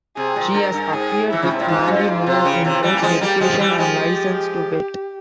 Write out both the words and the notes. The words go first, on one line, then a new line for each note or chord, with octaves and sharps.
She has appeared with Mandy Moore in both "Dedication" and "License to Wed".
C3 G#4
A#2
G2 A#4
G2
G#2 G#4
E3 E4
C#3
C3
A#2
G#2 F4
G2
G#2
C3
C#3
C3 E3
E3 G3
A#3
F3 G#3
G3 A#3 G4
F3 G#3
E3 G3 G4
F3 G#3